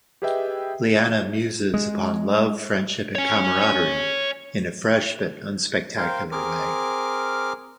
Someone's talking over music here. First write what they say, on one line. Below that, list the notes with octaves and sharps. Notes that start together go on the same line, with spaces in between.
Lianna muses upon love, friendship, and camaraderie in a fresh but unspectacular way.
G4 G#4 B4 D#5 E5 G5
G#3
C#5 G#5
A#4 C5 F5 G5
C4 G#4 A#4 D6 F6